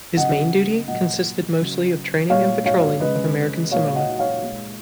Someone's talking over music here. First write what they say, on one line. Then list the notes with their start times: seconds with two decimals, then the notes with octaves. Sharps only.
His main duty consisted mostly of training and patrolling of American Samoa.
0.17 C#3 F#3 D#5 F#5
0.87 A#2 F#3 D#5 F#5
1.59 C#3 F#3
2.30 A#2 G#3 C#5 F5
2.65 C#5 F5
3.00 C#3 G#3 B4 D#5
3.71 A#2 G#3 C#5 F5
3.95 D#5 F#5
4.19 C#5 F5
4.43 A#2 G#3